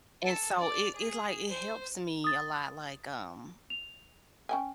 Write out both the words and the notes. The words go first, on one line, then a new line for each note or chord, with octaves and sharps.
And so it it, like, it helps me a lot, like, um,
A4
D5
G#4
C5
D#6 A6
F7
C#4 G5 G#5